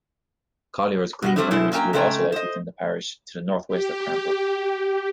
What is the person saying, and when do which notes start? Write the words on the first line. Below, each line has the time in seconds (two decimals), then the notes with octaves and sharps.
Colliers Green Primary School also lies within the parish, to the north-west of Cranbrook.
1.22 B2 F4 F#4
1.36 F#3 G3 A3 C4 D4 D#4
1.51 B2 G#3 A3 E4
1.72 F#3 A#3 C#4 C5 G5 A#5
1.93 C#3 G#3 A3 C#4 G5 A#5
2.32 C5 D#5
3.68 G4